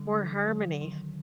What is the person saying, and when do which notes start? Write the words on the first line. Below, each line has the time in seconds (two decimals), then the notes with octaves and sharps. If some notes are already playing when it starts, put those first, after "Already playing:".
more harmony.
Already playing: D3 G3
0.14 D3
0.48 F#3
0.81 D#3